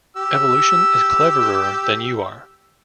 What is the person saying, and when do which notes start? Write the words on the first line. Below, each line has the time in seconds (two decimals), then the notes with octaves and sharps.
Evolution is cleverer than you are.
0.16 G4 E6